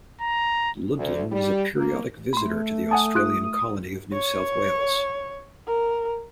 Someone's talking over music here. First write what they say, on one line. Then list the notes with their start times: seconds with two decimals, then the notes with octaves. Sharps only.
Ludlam was a periodic visitor to the Australian colony of New South Wales.
0.21 A#5
0.98 D2
1.32 G3
1.76 A#3
2.33 A3 B5 C6
2.91 F#5 G#5 A5 D#6
3.15 F4 F#6 D7
4.13 C#5
5.67 A#4